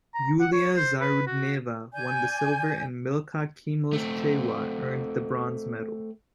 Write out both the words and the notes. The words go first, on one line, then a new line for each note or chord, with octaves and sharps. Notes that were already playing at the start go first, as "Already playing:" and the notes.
Yuliya Zarudneva won the silver and Milcah Chemos Cheywa earned the bronze medal.
A#5
F#5
C#5
C5
B4
F#4
D5 G#5 G6
A3 C4